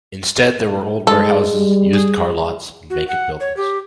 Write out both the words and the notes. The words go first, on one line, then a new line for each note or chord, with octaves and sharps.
Instead there were old warehouses, used car lots, and vacant buildings.
G#2 G#3 A4
G3
G#4
F#4
F#5
C#5
G4